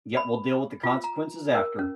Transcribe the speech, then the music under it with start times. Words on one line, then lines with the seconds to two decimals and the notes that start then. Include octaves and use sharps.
Yeah, we'll deal with the consequences after.
0.17 B5
0.83 F4
1.04 A#5
1.55 A#4
1.79 C#4